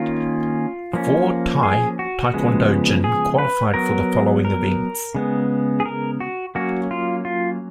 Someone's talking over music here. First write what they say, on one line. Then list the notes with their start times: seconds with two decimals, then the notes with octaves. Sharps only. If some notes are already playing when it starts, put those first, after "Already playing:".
Four Thai taekwondo jin qualified for the following events.
Already playing: D#3 A#3 C#4 F4
0.93 F3 A#3 C#4
1.63 G#4
1.99 F#4
2.34 C#3 F3 G#3 B3
3.04 G#4
3.39 B4
3.74 F#3 B3 A#4
4.45 A#4
5.15 C#3 G#3 B3
5.80 G#4
5.85 A#4
6.20 F#4
6.55 F#3 A#3 C#4 F#4
6.91 F4
7.25 F4